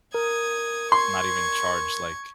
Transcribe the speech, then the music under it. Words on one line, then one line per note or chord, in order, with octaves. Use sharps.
not even charge, like
A#4 D#6 G#6
C6 C#6 G#6